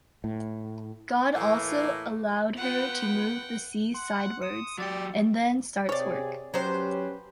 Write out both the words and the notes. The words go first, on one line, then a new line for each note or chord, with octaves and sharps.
God also allowed her to move the sea side wards and then starts work.
A2
A2 E3 A#3
B3 F4 B4 F#5 G5
F#5 C6
D#6 C#7 E7
F#3 G4 D5 E6 A6 C#7
C3 G#4 C#5 D5
F#3 C#4 G4 B4 C5